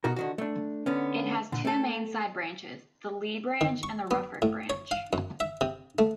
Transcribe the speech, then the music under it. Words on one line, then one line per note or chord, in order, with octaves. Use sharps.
It has two main side-branches, the Leigh Branch and the Rufford Branch.
B2 D#4 F#4 A#4
D3 D#3 F#4
A3 D4
D3 B3 C#4
A#2 D3
A3 A4
D#3
C#6
B3
A2
C#5
F5
F#2
E5
C3
A3